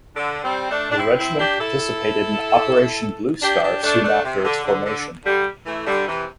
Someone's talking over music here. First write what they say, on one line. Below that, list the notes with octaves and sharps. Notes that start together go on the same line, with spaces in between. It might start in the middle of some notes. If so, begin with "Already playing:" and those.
The regiment participated in Operation Bluestar soon after its formation.
D3
G3 C4
A3 D4
D4
C4 E4
C4 E4
D4 G4
E4 A4
D4 G4
D4 G4
A3 D4
A3 D4
C3
D3
D3
D3
D3 G3
E3 A3
D3 G3
C3 E3